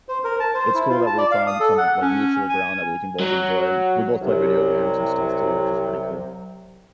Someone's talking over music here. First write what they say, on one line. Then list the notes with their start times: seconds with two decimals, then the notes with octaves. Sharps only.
it's cool that we found some, like, mutual ground that we can both enjoy, and we both play video games and stuff too, which is pretty cool.
0.09 C5
0.24 A#4
0.40 A5
0.54 C5
0.74 E4
0.90 F4
1.06 A5
1.18 D5
1.31 F5
1.47 D#6
1.60 A4
1.78 F#5
2.02 C#4
2.49 G#5
3.19 F#3
4.22 C2 C3 F#3